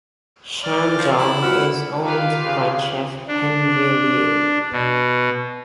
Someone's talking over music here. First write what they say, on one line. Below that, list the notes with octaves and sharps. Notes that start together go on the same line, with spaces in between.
Shandong is owned by chef Henry Liu.
D5 D6 F6
F3
E4
F4 F#4 F#5 E6 F6
F4 G4 B4 F5
C#3
D4
B2